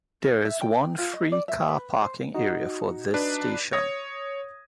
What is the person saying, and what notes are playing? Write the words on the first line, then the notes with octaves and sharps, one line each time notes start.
There is one free car parking area for this station.
A#4
E5
G5
F4
D#5
D5
E5
B4
C5
D#4 F#4
D4 B4
C#5 D#6 G#6 A#6